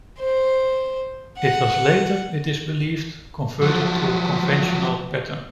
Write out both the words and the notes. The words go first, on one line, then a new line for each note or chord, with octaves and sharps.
It was later, it is believed, converted to a conventional pattern.
C5
F#5
F3 F#3